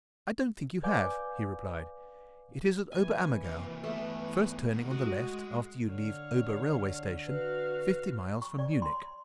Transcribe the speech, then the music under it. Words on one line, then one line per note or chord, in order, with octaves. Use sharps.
"I don't think you have," he replied; "it is at Ober-Ammergau--first turning on the left after you leave Ober railway-station, fifty miles from Munich."
B4 D5 F5 G#5 D6 G6
E3 G#5
C3 A#3
G2 A3 B3 G#4
B2 D#3
G#3 F#4
D3 C#5 F5
F#4 B4 F5
C#6
D5
C6